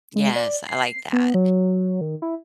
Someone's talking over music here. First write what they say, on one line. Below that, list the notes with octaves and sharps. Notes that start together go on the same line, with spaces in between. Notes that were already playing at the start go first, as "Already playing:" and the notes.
Yes, I like that.
G#3
D5
C7
B3
F#3
D#3
E4